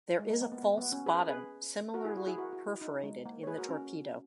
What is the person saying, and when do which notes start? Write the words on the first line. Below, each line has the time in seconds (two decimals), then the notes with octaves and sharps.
There is a false bottom similarly perforated in the torpedo.
0.19 G#3
0.30 A#3
0.41 A#3
0.52 B3
0.63 B3
0.78 B3
0.92 C#4
1.06 G#4 B4
1.28 G#4 B4
1.94 F#4 A#4
2.05 E4 G#4
2.16 F#4
2.27 E4 G#4
2.38 F#4 A#4
2.53 F#4
2.67 E4
2.81 D#4
3.03 G#3
3.26 A#3
3.43 C#5
3.47 G#4 B4
3.58 F#4 A#4
3.69 C#4